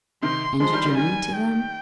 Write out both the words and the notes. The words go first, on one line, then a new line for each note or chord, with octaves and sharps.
"And you journeyed to them?"
C3 D#3 C6
F3 G#3 C6
D#3 G3
D#3 G3
D#3 G3 G#5
G5